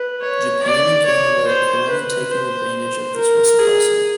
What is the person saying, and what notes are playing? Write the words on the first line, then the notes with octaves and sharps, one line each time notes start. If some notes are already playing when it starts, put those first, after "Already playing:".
Japan and Canada are currently taking advantage of this reciprocity.
Already playing: B4
C#5
D5
C#5
C5
B4
C5
A#4
G#4